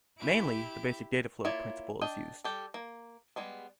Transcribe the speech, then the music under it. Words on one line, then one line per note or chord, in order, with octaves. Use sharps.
Mainly, the basic dataflow principle is used.
E4 G4 D7
A#3 E4 F4 C#5 D5
D4 D#5 G5
G3 G4 A4
A#3
G3 G#3 B3